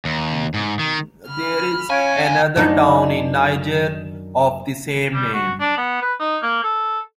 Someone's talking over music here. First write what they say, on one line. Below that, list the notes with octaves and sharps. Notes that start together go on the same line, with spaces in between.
There is another town in Niger of the same name.
D#2
G#2
D#3
B5 F6
E2 C#4 C#5 F5 G#5 G#6 D7
F#2 D4 D#4
G3
F#4
D4
B3
B4
D#4
A#3
A4